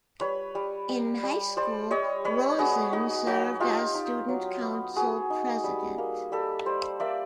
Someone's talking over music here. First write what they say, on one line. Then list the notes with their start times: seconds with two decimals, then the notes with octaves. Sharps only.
In high school, Rosen served as student council president.
0.21 G3 B4 C#5
0.55 G3
0.89 G3
1.23 G3
1.57 G3 C5 D5
1.91 G3 C#5 D#5
2.25 G3 B4 C#5
2.58 B3 F#4 G#4
2.92 D#4 F#4
3.27 F#3 F#4
3.60 D#4 F4 G4
3.95 D#4
4.29 F#3
4.62 B3
4.96 B3 F#4 G#4
5.30 D#4
5.64 G3
5.98 A#3
6.32 G3 G4 A4
6.66 G3 C5 D5
7.00 A#3 D5 E5